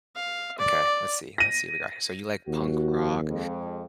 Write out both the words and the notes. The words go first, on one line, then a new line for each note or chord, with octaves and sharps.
Okay. Let's see, let's see what we got here. So you like punk rock,
F5
D5
A#6 D#7
D#2 F#4
F2 G#3